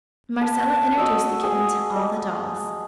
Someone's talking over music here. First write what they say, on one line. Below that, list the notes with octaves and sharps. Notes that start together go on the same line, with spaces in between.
Marcella introduced the kitten to all the dolls.
A5
F#4 D#5 E6
G#4
D#5